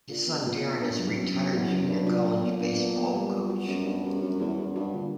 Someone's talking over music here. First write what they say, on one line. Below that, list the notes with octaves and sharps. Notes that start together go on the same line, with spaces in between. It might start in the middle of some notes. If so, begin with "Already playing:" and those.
His son Darren is a retired junior college baseball coach.
A#2 D4
B3
G2
A#2 F#4
B3
G2 B3
F#3
F#2 B3
F#3
E2 F#4
F#2 F#3
G2 F#3
A#2 D4
D4
B3
D4
B3
B3
G3
B3
F#4
F#2 B3
G2 F#4
F#2 G3
F#2 G3
E2 F#4
F#2 F#4
G2 F#4
A#2 D3